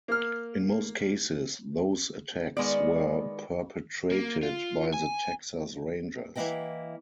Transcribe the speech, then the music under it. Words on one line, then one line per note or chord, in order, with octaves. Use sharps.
In most cases those attacks were perpetrated by the Texas Rangers.
A#3 F6
D#3 G#3 B3 D5
A#3
F4
G#5
E3 A#3 D#4 E4 D#5 G5